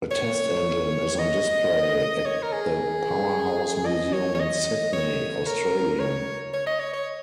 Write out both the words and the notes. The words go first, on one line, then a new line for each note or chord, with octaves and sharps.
A test engine is on display at the Powerhouse Museum in Sydney, Australia.
C#5
D#5
C#5
A#4
G#4
D#5
C#5
C#5
D#5
C#5
A#4
C#5
C#5
D#5
C#5
C#5